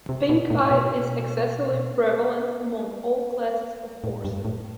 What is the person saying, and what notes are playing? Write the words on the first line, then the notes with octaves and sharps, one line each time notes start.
Pink-eye is excessively prevalent among all classes of horses.
C3
B2
A2
B2
A2
G2
A2